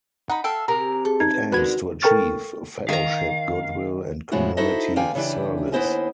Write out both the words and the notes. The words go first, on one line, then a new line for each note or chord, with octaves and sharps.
It aims to achieve "Fellowship, Goodwill and Community Service".
D#4 F#5 B5
A4 E5 F5 G5
C3 G#4 A#4 A#5
G#4 A4
D#4 G#6
D3 D#3 F#4 B4 B5 G#6
A4 A#4 G5 C#6 F6 A6
D#3 F5 A#5
A2 C#3 F3 G#3 E4 F#4
D#4 E4 F#4 A4 C5 D#5
E2 D3 G4 F5 G5 G#5
C#3 E3 D4 G4
D#2 B3 E4 C5 D#5 G#5